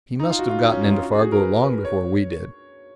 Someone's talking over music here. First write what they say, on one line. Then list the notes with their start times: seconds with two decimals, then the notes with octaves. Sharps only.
He must have gotten into Fargo long before we did.
0.20 D#4
0.30 F4
0.39 F#4
0.50 F4
0.60 D#4
0.71 C#4
0.81 D#4
0.91 F4
1.02 F#4
1.13 G#4
1.23 F#4
1.32 A#4
1.43 B4
1.64 B4
1.85 C#5